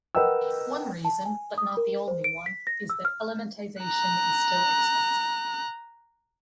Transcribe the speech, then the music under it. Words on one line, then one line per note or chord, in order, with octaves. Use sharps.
One reason, but not the only one, is that elementization is still expensive.
A#4 B4 D#5 F#5 G5 E6
A5
G#5
D#6
A#4
C5
D7
B6
A#6
E6
F6
A#5 F#6